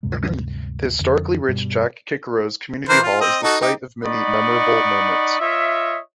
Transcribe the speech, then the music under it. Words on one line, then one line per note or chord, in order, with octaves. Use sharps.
The historically rich Jack Kickeros community hall is the site of many memorable moments.
D2 G2 C3 G#3
F2 D3
G2 B2 G3
E3 A#4 C5
F4
C4 D#5
D#4 F#4 A4
D#4 G4
D#4 D5 D#5 F#5 B5 C#6
F4 C#5 D#5 E5